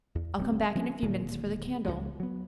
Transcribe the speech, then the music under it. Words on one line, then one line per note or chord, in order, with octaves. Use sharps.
I'll come back in a few minutes for the candle.
E2
D1 G3 C4
F3 G3 C4 C#4
D1 A#2 D#3 F#3
C#2 F#2 F3 G#3
F#3 B3